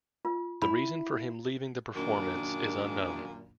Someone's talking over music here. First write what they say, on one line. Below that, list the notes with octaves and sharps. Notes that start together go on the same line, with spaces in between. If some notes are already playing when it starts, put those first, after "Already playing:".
The reason for him leaving the performance is unknown.
F4
E4 B5
F#2 A#2 D#3 D4